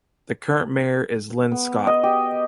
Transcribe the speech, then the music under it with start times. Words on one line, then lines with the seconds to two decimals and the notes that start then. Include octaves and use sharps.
The current mayor is Lynn Scott.
1.52 B3
1.87 D#5
2.03 G4